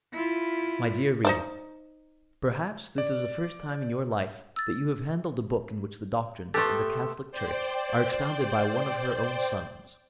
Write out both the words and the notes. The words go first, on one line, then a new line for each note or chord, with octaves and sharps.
MY DEAR READER:--Perhaps this is the first time in your life that you have handled a book in which the doctrines of the Catholic Church are expounded by one of her own sons.
E4 F4
D#4 C5 D5
D5
E6 A6
A3 B3 G4 A4 C6 A6
C5 D5 G5